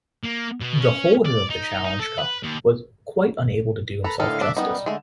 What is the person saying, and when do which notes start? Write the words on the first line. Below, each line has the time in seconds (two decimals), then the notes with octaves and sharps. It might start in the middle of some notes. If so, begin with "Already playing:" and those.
The holder of the challenge cup was quite unable to do himself justice.
0.23 A#3
0.61 B2
0.80 C#4
1.25 D5
1.50 D#4
1.85 D#4
1.99 A4
2.18 B4
2.43 D#2
4.04 A4 B4 A#5
4.20 A2 D3 D#3 D#4 A4 F5
4.41 D4 E5 D6
4.57 F#2 G3 B3 D#4
4.86 D3 G#3 A3